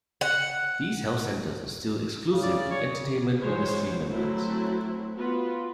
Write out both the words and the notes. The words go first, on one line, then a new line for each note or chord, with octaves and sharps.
These health centers are still exclusive to entertainment industry members.
F#5
C#3
D5
C#5
E3 F#3 G#3 C5 C#5
F#3 A3 C4 E4
B3 F4 F#4 B4